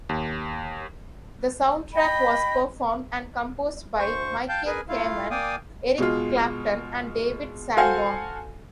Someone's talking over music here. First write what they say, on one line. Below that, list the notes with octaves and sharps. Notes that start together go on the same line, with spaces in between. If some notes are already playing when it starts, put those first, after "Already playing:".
The soundtrack was performed and composed by Michael Kamen, Eric Clapton, and David Sanborn.
D#2
D#5 G5 B5
D2 C5 C#6
F5 G5 A5 G6
G#4 A#4 B4 G#5
A3 E4 F4 F5
A#3 D5 F5 G5 G#5 D#6
B2 G#3 F4
F#4 A4 C5 F5 F#5 G#5